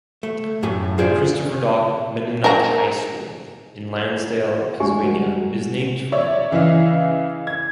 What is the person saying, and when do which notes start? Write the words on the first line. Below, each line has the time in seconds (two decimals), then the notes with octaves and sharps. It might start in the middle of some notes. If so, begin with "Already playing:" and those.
The Christopher Dock Mennonite High School, in Lansdale, Pennsylvania, is named for him.
0.23 A3
0.63 F#2 A2 A3 G4 G#5
0.98 F4 G#4 C5 D5
2.44 A#4 A#5
4.80 G#3 A3 D4 G4 G#5
5.03 G3 F#4 A#4
6.12 C#5 D5 E5
6.51 C#3 E3 E4 D#5 F5
7.47 G#6